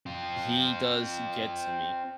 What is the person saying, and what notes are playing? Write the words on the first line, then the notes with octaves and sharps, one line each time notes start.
he does get to me.
C4 F4